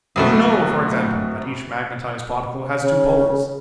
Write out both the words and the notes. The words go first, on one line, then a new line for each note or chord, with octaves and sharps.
You know, for example, that each magnetized particle has two poles.
D1 C2 B2 A3
C#3